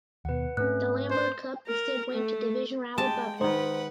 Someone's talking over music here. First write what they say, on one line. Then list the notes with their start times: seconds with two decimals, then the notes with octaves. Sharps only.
The Lambert Cup instead went to division rival Bucknell.
0.25 D#2 B2 B4 F#5
0.57 G#2 A3 C4 C#4 B4 F#6
1.10 C5
1.67 A#4
2.12 A3
2.98 G#3 G4 G5 A5
3.41 D#3 D#4 B4 C5 F#5